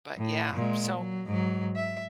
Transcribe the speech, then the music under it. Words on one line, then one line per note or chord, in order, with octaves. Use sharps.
but yeah, so
A2
A#2 G#3
F#3
G#2 F#3
E5